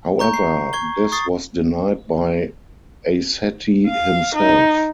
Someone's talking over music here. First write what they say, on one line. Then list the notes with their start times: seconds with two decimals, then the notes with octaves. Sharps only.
However, this was denied by Aisatti, himself.
0.19 A#5 C#6 G6
0.34 C7
0.73 C#6 G#6 G7
1.12 C#6 D#6 A6 C7
3.87 F5
4.36 D#4